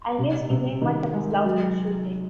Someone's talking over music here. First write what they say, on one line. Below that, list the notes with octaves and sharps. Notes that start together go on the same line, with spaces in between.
I guess you ain't much of a slouch at shooting.
C3
C3
D#3
G#3
F#3